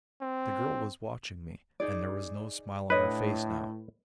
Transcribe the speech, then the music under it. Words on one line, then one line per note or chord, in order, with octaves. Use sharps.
The girl was watching me, and there was no smile on her face now.
C4
D#4 G#4 D5
A2 D4 B4 C#5 D#5